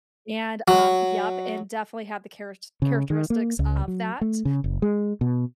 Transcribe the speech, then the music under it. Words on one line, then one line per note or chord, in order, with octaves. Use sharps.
and, um Yep, and definitely have the charets characteristics of that,
F#3
C#3
D#3
A#3
C#2
F#3
A3
C#3
F#1
G#3
B2